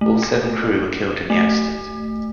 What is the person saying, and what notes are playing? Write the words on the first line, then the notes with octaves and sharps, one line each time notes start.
All seven crew were killed in the accident.
A3
A3